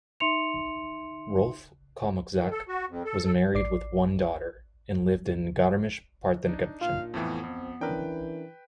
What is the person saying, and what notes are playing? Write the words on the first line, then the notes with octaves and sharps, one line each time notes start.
Rolf Kalmuczak was married with one daughter and lived in Garmisch-Partenkirchen.
D#4 E5 C6 C#7 F7
D#3
A4
F#4
F2
A4
A4
A1 D5 D6 C7
D4 D#4
A#2 F4 F5
F2 A2 E3 B3
F2 C4
E3 C#4 D4 A#4 B4 G5